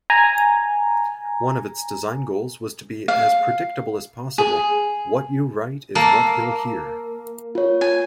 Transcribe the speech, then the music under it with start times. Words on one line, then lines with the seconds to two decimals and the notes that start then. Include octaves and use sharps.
One of its design goals was to be as predictable as possible: 'what-you-write-is-what-you'll-hear'.
0.10 G#5 A#5
3.08 F5
4.38 G#4
5.95 A#3 A4
7.55 F4 C#5
7.81 G#5